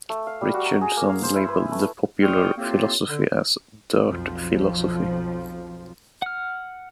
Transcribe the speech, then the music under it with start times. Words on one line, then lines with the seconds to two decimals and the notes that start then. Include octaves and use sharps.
Richardson labeled the popular philosophy as "dirt philosophy".
0.09 A3
0.27 F5
0.41 G3
0.54 F#4
0.66 A#5
0.81 G#4
0.97 A#3
1.09 F5
1.23 C5
1.36 E4
1.48 B4
1.72 A3
2.22 D5 G5 C6 C#6 D#6 F6
2.57 A2 A#3 C4 D#4 F4 G4
3.07 D3
4.05 B1 F2 F3
6.22 F#5 F6